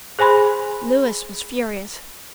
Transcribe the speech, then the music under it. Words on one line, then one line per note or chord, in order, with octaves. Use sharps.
Louis was furious.
G#4 C5 G#5 B5 C6